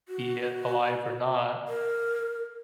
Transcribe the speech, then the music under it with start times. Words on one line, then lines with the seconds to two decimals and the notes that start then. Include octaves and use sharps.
be it alive or not,
0.09 F#4
1.68 A#4